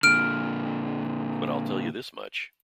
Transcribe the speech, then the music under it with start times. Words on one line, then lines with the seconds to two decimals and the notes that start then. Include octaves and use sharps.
But I'll tell you this much.
0.03 A#2 D3 F6 D7